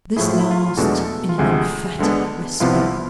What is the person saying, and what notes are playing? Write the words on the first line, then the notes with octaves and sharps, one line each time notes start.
This last in an emphatic whisper.
A2 F3 A3 E4 G#4
F4
E4
F4
E2 B2 G#3 A3 D4 A4
F4
D2 C3 F3 G#3 G#4
D2 D3 G#3 B3 D4
C2 C3 F3 B3 E4 F4
E4
F4